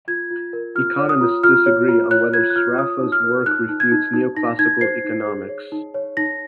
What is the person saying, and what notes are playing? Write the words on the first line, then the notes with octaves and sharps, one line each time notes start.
Economists disagree on whether Sraffa's work refutes neoclassical economics.
F4 G#6
F4
A#4
F4 F6
C#5
D#6
F4
F4 F6
C#5
F4
C#5 F#6
F4 G#6
F#6
F4 F6
C#5 D#6
D#4
F6
A#4
D#4 F#6
D#4
G#6
D#4
D#4
D#4 A#6
D#4 G#6
C5 C7
D#4
G#4
C#5
D#4
C#5
D#4 A#6